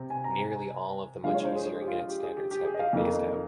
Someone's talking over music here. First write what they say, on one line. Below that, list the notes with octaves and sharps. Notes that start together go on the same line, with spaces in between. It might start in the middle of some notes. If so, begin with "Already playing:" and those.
Nearly all of the much easier Unit Standards have been phased out.
Already playing: C3 C4
G#5
A#5
G#5
G2 F3 G#3 F5
C#5
C5
G#4
G#4
G4
F4
G4
G#4
G4
G4
G#4
D#5
F5
F2 D#3 A#3